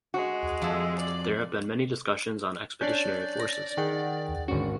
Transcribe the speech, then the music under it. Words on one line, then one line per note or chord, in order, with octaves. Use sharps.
There have been many discussions on expeditionary forces.
G#3 F#4
F2 E5
D5
C#4 D4 D5 F#6 G6
A#6
D#3 G#4 F#5 G5
G#1 D3 C#4 F#4